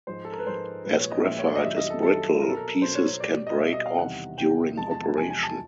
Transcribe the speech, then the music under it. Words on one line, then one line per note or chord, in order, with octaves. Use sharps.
As graphite is brittle, pieces can break off during operation.
G#2 F3 G#3 C5
A4
A#4
B4
G#2 F3 G#3 C5
A#2 F3 G#3 B4
C#5
D#5
A#2 F3 G#3 E5
C#5
D5
D#5
F#2 D#3 G3 E5
D#5
A4
F#2 D#3 G3 A4
B2 F#3 A#4
A4
A#4
B2 F#3 C5
C#5
C#5
B2 G3 D5
D5
D#5
B2 G3 E5
D#5
F5
E2 C3 D#3 G3 F#5
E2 C3 D#3 G3 G5
E2 C3 F3 G#3 A5
A5
A5
E2 C3 F3 G#3 G#5
G#5
A5